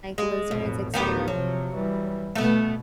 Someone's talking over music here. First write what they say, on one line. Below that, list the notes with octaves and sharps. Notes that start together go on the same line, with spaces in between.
like, lizards, et cetera.
G#3
A1 F2 B2
A1 D2 D#3 B3 G4
C3 F3 F#3
E3 G3
B2 A3 B3